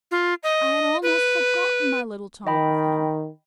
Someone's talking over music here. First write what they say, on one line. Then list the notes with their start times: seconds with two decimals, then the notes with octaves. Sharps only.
I had almost forgotten my little talk with him.
0.11 F4
0.43 D#5
1.02 B4
2.47 D#3 D#5 G5 B5